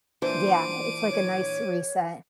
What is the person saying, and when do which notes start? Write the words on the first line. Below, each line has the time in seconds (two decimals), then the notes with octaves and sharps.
Yeah, it's, like, a nice reset
0.22 A#2 E3 D4 C5 D6 D#7
1.10 C#5